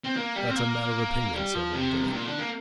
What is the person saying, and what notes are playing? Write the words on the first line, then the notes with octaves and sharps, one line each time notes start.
'That's a matter of opinion,' said Loveday.
C4
A#3
G3
C4
A#3
G3
F3
C3
F2
G2
A#2
D3
A#3